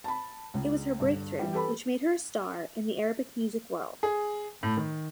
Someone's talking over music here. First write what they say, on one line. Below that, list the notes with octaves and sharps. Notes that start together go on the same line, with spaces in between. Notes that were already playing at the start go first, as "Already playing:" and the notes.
It was her breakthrough, which made her a star in the Arabic-music world.
A5 B5
C#2 C#3
G2 D3
E3 G3
G4 A4 B4 B5
G#4
A2
D#3